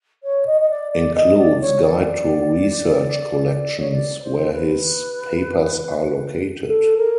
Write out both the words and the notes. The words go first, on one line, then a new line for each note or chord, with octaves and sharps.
Includes "Guide to Research Collections" where his papers are located.
C#5
D#5
D#5
D5
D5
D#5
D5
C#5
D5
C#5
D5
C5
B4
A4
A#4